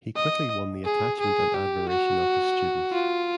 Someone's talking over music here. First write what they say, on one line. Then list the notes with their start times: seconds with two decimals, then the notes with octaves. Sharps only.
He quickly won the attachment and admiration of his students.
0.16 D#5
0.85 G#4
1.20 G#4
1.54 G4
1.89 F#4
2.93 F4